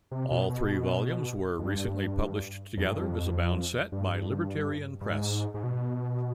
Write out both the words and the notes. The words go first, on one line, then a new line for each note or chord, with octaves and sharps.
All three volumes were recently published together as a bound set by Libertarian Press.
C3
B2
B2
F2
G2
F2
G2
F2
G2
G2
G#2
G#2
B2